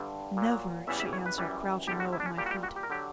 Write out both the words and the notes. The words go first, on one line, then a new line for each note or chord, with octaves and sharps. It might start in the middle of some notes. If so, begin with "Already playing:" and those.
"Never!" she answered, crouching low at my feet.
Already playing: G2 D3 G3
A#2
F#3
E2 C#3 E3 G3 E5
E5
C#5
B4
F#2 E3 G3
E2 D3 G3 G4
F#4
E4
D4
C#4
A#2 G3 G4
F#4
G4
F#4
G4
A#4
D3 F#3 G4